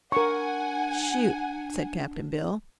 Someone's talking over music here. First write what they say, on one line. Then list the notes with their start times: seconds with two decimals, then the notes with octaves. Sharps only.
"Shoot," said Cap'n Bill.
0.12 D4 A#4 F#5 G#5 C#6